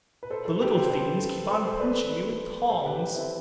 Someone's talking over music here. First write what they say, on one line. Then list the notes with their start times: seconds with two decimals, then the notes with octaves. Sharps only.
The little fiends keep on pinching me with tongs.'
0.23 B4
0.30 A4 C5
0.45 A4 C5
0.60 G4 B4
0.75 A4 C5
0.90 A4 C5
1.51 A4 C5
1.65 A4 C5
1.80 B4 D5
2.70 A4 C5
2.84 G4 B4
3.14 C4 E4